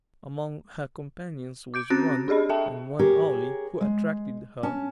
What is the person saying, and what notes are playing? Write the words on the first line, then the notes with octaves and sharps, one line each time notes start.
Among her companions was one, and one only, who attracted her.
D6 G6 D7
C4 C#4 F#4 F#6 A6 A#6
D4 G4 G#4 D#5 B5
A4 E5 G5 A5
G4 G#4 A#4 C#5
G#3
C#4 A5